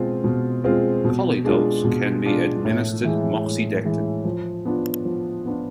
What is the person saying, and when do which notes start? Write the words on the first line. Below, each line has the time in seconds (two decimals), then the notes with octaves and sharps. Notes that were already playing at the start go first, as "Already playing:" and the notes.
Collie dogs can be administered moxidectin.
Already playing: B2 G#3 C4 F4
0.24 B2
0.64 G#3 C4 F4
1.05 B2
1.45 G#3 D4 F4
1.84 B2
2.25 G#3 D4 F4
2.65 A2
3.05 E3 G#3
3.45 A2
3.85 E3 G#3
4.25 F3
4.65 B3 D4 F4
5.05 F3
5.46 B3 D4 F4